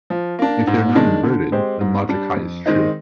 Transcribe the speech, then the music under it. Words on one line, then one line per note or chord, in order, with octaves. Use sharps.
If they are not inverted, then logic high is true.
F3
A#3 D4
G#2
D#3 G#3 D4
D3
G#3 C4 G4 C5
G#2
G3 D4
F2
D#3 G#3 C4 D#4